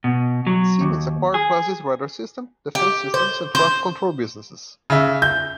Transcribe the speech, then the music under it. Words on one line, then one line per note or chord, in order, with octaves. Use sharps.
Siemens acquired Plessey's radar systems, defence systems and traffic control businesses.
B2
F#3
D#2
G#4
G4
C5
C5
C#3 E5
G6